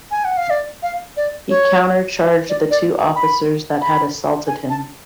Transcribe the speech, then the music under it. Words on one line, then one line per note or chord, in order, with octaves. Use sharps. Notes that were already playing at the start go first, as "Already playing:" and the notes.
He counter-charged the two officers that had assaulted him.
G#5
F#5
F5
D5
F5
D5
C#5
D5
D5
B5
B5
G#5
A5